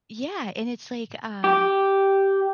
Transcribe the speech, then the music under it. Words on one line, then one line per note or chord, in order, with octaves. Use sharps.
Yeah, and it's like um,
G4